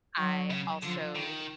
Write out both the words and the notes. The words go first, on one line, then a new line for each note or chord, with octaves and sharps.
I also
F#3
C#3
D3 F3
D#3